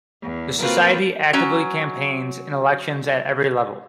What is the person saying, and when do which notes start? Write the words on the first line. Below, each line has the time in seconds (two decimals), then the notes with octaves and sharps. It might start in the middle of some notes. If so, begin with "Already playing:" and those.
The society actively campaigns in elections at every level.
0.22 E2
0.59 A#3 C4 F4 F#4 A#4 B4
1.33 F#3 C#4 A#5